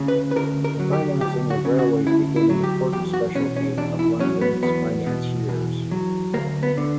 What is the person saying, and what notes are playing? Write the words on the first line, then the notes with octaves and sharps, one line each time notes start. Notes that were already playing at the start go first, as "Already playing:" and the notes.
The financing of railways became an important specialty of London's financiers.
Already playing: D2 C#3
B4
B4
D2 A#4
A#4
F#3
G4
D2 G4
F#4
C#3
F#4
D2 E4
E4
F#3
G4
E2 G4
F#4
B2 C#4
C#4
E2 D4
E4
F#3 C#4
B3
E2 B3
B2
E2
F#3
D2 A#3
B3
D3